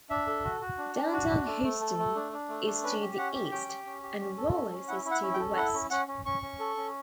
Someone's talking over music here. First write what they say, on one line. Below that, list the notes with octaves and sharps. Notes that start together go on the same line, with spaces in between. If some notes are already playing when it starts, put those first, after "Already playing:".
Downtown Houston is to the east, and Wallis is to the west.
D4 E5
A4
F#4
F#4
D4
D4
F#4
D4
A3
A3
A4
A3
D4
D4
A3
D4
C#4 B4
G4
C#4 F#5
G4
C#4 G5
G4
C#4
G4
C#4
A4
C#4
C#4
E4 F#5
E4
F#5
C#4
G5
A4
E4 F#5
C#4
C#4 F#5
C#4
C#4 C#6
C#4
A4
C#4